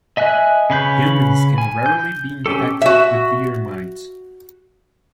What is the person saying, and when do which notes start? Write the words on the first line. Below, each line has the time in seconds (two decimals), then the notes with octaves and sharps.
Humans can rarely be infected with ear mites.
0.17 D#5 E5 G#5 F#6
0.70 C#3 C#4 B4 G6
1.58 G#5
1.86 G6
2.46 C#4 G4 A4
2.82 F#4 E5